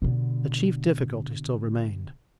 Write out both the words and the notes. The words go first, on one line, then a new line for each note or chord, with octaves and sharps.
The chief difficulty still remained.
B2 D3